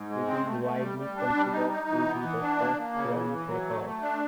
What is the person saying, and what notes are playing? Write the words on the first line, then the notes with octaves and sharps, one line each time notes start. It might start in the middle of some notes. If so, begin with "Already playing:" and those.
It is widely considered to be the first grunge record.
Already playing: G#2
G#3
C4
A3
A3
G3
G3
D4
G3
D#4
D#4
E3
B3
E3
D4
A#3
A#3
C#3
E3
E3
F#3
A3
A3
D4